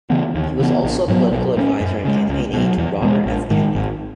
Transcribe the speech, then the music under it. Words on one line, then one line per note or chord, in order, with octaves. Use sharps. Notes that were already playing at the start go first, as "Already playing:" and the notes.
He was also a political adviser and campaign aide to Robert F. Kennedy.
C#3 E3 B3
D#2
C#3 E3 B3
A#1
G#2 F#3 B3
B1
A#2 G#3 C#4
F#2
C#3 G#3
C#2
B2 F#3
E2
B2 G#3
A#1
G#2 D#3 G#3
G#1